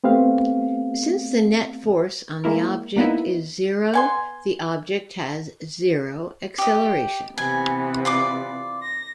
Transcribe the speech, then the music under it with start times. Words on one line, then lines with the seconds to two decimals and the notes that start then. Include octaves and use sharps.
Since the net force on the object is zero, the object has zero acceleration.
0.04 A3 B3 C4 G4 F5
2.44 G#3 A#3 E4 A#4
2.96 A#3 B3 D#4 E4
3.93 B3 G#5 C6
6.58 G4 D#5
7.38 C3 E3 B3 G#5
8.05 F4 D5 D6
8.83 A#6